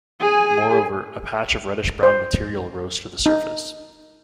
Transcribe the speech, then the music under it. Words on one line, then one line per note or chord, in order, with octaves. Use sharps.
Moreover, a patch of reddish-brown material rose to the surface.
G#4 G#5
C5
D#4